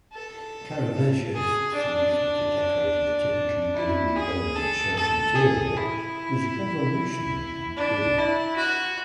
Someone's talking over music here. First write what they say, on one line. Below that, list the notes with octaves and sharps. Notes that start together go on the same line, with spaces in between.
Caravaggio's solution to decorating a typically gloomy Roman church interior was revolutionary and brilliant.
A4
G#4
D4
E4
G#4
A4
A4
G#4
E4
D4
E4
F#4